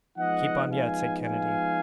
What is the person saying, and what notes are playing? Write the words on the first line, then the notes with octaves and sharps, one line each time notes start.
"Keep on yet," said Kennedy.
F3 G#3 B3 D#4 D#5 F#5
F5 G#5
F5 G#5